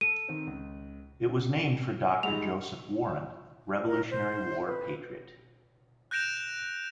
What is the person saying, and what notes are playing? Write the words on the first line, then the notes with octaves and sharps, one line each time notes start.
It was named for Doctor Joseph Warren, Revolutionary War patriot.
A4 D#7
D#3 C4
C#2
C#3
G3 G#3 D#4 F7
A#4
C5
B4
F#6 G6 A#6 D7 E7 F7